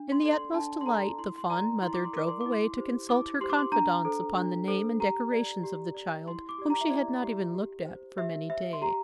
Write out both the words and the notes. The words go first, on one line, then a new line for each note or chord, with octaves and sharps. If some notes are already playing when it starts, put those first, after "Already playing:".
In the utmost delight the fond mother drove away to consult her confidants upon the name and decorations of the child, whom she had not even looked at for many days.
Already playing: D4
C6
A4 D5
C6
D4 A5
C6
A4 D5 A#5
E4 C6
C6
A#4 D5 A#5
E4 C6
D6
C6
A#4 D5 D6
C6
D6
E4
C6
G4 C5
E4 D6
G4 C5 C6
D6
C6
D4 A#5
A4 C5
D4
A4 C5
G4 A#5
D5
G4
D5
E4 C6
D6
G4 D5
A#5
E5
E4 D5
G4 D5
G4
C5
G4 E5
C5 E5
C6
G4 A#5